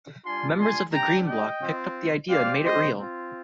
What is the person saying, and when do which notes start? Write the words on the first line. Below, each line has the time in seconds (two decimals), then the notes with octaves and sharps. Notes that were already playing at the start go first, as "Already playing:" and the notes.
Members of the Green Bloc picked up the idea and made it real.
0.25 G3 D4 F4 G#5 C6
0.59 G#5 C6
0.93 G3 D4 G4 G5 A#5
1.27 D#5 G5
1.62 C4 F4
2.29 C4 G4 D5 F5
2.64 C5 D#5
2.97 C4 F4